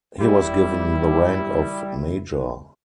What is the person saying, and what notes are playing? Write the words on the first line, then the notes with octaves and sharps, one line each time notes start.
He was given the rank of major.
G3 E4